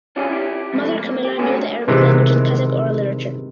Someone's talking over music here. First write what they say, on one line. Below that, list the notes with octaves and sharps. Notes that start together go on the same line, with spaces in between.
Mother Kamila knew the Arabic language and Kazakh oral literature.
C#4 D4 F4 G4 G#4
E4 G4
F2 G#2 C3 D#3 F3 A3
A#3
G4
D3 A3 C#4 F#4 G#4
C3 D#3 E3 G#3